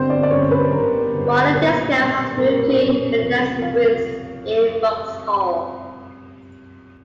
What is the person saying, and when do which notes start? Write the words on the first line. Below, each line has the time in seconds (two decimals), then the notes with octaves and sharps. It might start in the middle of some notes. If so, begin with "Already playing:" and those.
Roller Disco has moved to Renaissance Rooms in Vauxhall.
Already playing: G1 G2 D3 C4 C5
0.09 D4 D5
0.23 D5
0.30 G1 G2 D3 C#4 C#5
0.51 B4
0.72 G1 G2 D3 A#4
1.13 G1 G2 D3
1.55 B1 A#2 G3 B4
1.96 B1 A#2 G3
2.37 B1 A#2 G3 A#4
2.49 A#4
2.59 B4
2.69 B4
2.79 B1 A#2 G3 C#4 C#5
3.21 C#2 C3 F3
3.62 C3 F3 F5